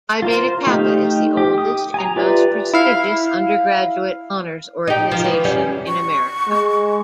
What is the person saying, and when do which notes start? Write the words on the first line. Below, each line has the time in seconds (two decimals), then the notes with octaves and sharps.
Phi Beta Kappa is the oldest and most prestigious undergraduate honors organization in America.
0.22 F4 A#4 C5
0.67 A3 D#4 G4 F5
1.37 G4
1.58 D#6
1.94 G#5 A#5
2.16 F4 G4 B4 D5 E5
2.73 E4 F5
4.87 D#4 G4
5.11 F3
5.24 E3
5.45 F#2 G3 C#4
5.87 C#6
6.48 G#3